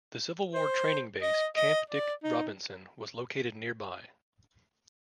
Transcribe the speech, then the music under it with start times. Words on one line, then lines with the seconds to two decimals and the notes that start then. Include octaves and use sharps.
The Civil War training base Camp Dick Robinson was located nearby.
0.54 C5
1.22 D#5
1.57 D#5
1.90 D5
2.24 D#4